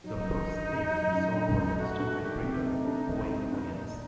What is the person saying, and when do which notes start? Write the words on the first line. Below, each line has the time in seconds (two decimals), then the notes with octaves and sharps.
The first thing he saw was Mr McGregor hoeing onions.
0.04 F#3 D#4
0.26 F#2
0.47 D3
0.68 F#2
0.90 F#3
1.12 F#2
1.35 D3
1.56 F#2
1.77 A3 F#4
2.00 D4
2.22 D#3 G4
2.43 C3
2.64 A3 D#4
2.87 D4
3.09 D#3
3.30 C3
3.51 D4 D#4 F#4
3.74 A#2